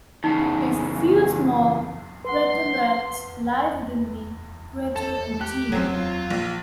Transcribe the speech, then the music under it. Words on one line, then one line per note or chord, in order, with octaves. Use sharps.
A few small craterlets lie within the crater interior.
E2 C#3 D#4
B4 F#5 C6
A4 A5
G4 F#6
F#2 F#3 C4
F4
A#1